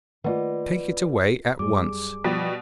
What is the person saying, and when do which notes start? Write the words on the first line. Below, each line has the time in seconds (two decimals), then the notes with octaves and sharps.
'Take it away at once!'
0.24 D#3 A3 A#3 F4 B4 D5 D#5 F#5
1.59 F#2 G3 G#4 D6
2.24 B2 F3 G3 F4